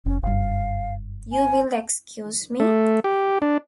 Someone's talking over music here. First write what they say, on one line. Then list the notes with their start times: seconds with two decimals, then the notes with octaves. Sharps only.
You will excuse me.
0.06 F1 C#4
0.23 F#1 G2 F5
1.32 G#5
2.60 A3
3.04 G4
3.42 D4